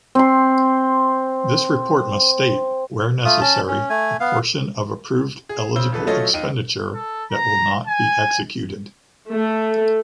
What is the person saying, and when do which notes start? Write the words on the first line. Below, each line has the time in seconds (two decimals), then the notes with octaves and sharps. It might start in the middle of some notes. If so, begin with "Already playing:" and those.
This report must state, where necessary, the portion of approved eligible expenditure that will not be executed.
0.15 C4 C6
3.25 A3 F4 D#6
3.41 C#4 A5
3.68 C#4
3.90 A3 G#5
4.20 B3 F5
5.49 G#4
5.76 C#3 C5 E6 G7
5.92 D#1 A4 B4
6.07 F#3 A3 C#4 F4 A4 D#5
6.33 D#2 D#4 D#7
6.95 A4
7.31 A#5
7.86 G#5
9.31 A3